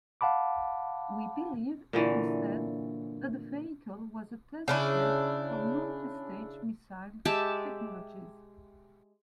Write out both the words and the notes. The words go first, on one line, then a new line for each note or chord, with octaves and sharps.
We believe instead that the vehicle was a test bed for multi-stage missile technologies.
F5 F#5 A5 B5 D6
A#2 D3 E3 F#3
C#3 D4 E4
G#3 G4 E5 A5